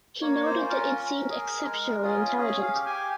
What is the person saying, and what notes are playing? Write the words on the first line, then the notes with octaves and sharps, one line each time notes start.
He noted that it seemed exceptionally intelligent.
A#3 C#5
C#5
C5
C#4 F4
A#4
C#4
G#4
G#3
C#4 F4 G#4
C#4 G#4
F5
G4
G#5